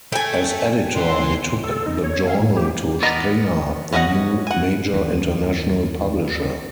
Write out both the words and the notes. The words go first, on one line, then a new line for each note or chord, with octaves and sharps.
As editor, he took the journal to Springer, a new major international publisher.
A3 G5 G#5
E3 C6
A4
D#4
C#5
F5
A2
G4
B3 A#4 D5 D#5
C#4 F#4 D#5 E5 F#5
F#5 G#5
D#2 E3